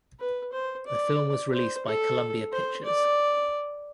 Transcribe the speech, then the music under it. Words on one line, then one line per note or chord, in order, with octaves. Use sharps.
The film was released by Columbia Pictures.
B4
C5
D5
C5
A4
C5
D5